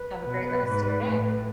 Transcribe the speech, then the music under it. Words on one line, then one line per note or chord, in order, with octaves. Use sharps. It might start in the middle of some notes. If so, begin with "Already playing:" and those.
have a great rest a your day.
Already playing: B4
B2
G#2
A2